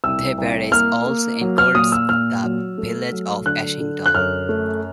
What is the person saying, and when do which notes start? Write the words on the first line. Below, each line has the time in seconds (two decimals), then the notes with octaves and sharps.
The parish also includes the village of Ashington.
0.04 C2 E6
0.38 C2
0.72 A#3 F6
1.07 A#3
1.41 F#3
1.58 F6
1.75 A#2 D#6
1.92 E6
2.09 A#2 F6
2.43 F#3
2.78 A3
3.12 F#3
3.46 D3 F#6
3.80 D3
4.06 F#6
4.15 F#2 F6
4.49 A3